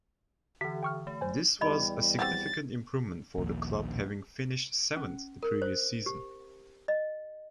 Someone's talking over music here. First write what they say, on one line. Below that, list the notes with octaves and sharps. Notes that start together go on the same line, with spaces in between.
This was a significant improvement for the club having finished seventh the previous season.
D3 E3 B6
G5 C#6 F6
A3
C5 G#5
E2 G3 D5 D#5 B5
C4 F#4 G4 A6
A#1 D#2
C#4
A#4
C5
G4
D#5